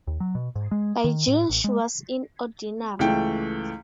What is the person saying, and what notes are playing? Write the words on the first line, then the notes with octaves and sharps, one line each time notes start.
By June she was in Ordinary.
D#2
F#3
B2
G#2
G#3
D#3
A2
A1
G#3
C#2 E3 A3 G5